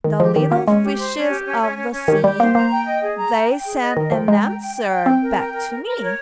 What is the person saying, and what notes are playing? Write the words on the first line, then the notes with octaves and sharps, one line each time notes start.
The little fishes of the sea, They sent an answer back to me.
D#3 D#5
F3 G4
D#3 G4
A#3 C#4
G#3 C#4
G4
C5
C#4
G4
C#4
C#4
C#4
C#4
D#3 G4
G3 G4
A#3 C5
A#3 A#5
G5
D#5
G#4
A#5
G5
G5
G#4
D#5
D#3 A#4
F3 G5
G#3 A#5
G5
G5
G5
G5
C4 G5
A#4
G5
A#4
A#4
A#4
C#5